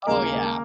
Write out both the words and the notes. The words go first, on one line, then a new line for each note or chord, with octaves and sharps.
Oh yeah,
D#2 C#3 G#3 A#3 A#4